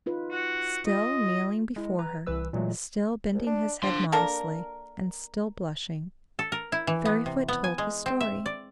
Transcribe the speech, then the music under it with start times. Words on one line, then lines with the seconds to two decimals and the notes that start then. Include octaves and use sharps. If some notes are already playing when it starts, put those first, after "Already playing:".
Still kneeling before her, still bending his head modestly, and still blushing, Fairyfoot told his story.
0.06 D#4 F4 B4
0.31 F#4
0.87 F4 D#5
1.76 G#3 E4
1.99 B4 A#5
2.27 C2 E3 B4 E6
2.53 A#2 E3 F#3 G#3 A3
3.34 C2
3.46 D4
3.83 F3 D4 C6
4.12 A#3 D4 A4 A#4
6.39 A4
6.52 A#4
6.72 E4
6.87 E3
7.05 B3
7.26 C3
7.48 B3
7.64 G#5
7.78 G#3
8.06 C4
8.21 E5
8.46 D5